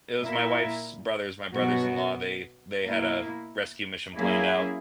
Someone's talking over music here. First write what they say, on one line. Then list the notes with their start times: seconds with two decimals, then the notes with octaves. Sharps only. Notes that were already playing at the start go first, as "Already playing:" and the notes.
it was my wife's brothers my brothers-in-law, they they had, uh, rescue mission planned out
0.21 A#2 A#3 E4 A#4 E5
1.53 B2 F#3 B3 F#4
2.84 B2 A#3 E4
4.15 F#3 A#3 C#4 E4 G#4